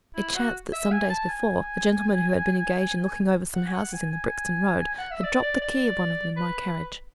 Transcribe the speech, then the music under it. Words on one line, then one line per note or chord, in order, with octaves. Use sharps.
It chanced that some days before a gentleman who had been engaged in looking over some houses in the Brixton Road had dropped the key of one of them in my carriage.
E4
F#4
E5
G#5
A5
G#5
F#5
G#5
F#5
G#5
G#5
F#5
E5
D5
D5
D5
B4